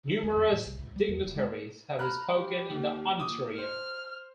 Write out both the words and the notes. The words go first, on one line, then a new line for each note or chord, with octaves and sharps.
Numerous dignitaries have spoken in the Auditorium.
D#3
D#2
F2
A2
C2
C#2
G3
E2
D1
G#3
A#5 B5 F6 F#6
G4
D#2
A#2 D6 D#6
C5 F6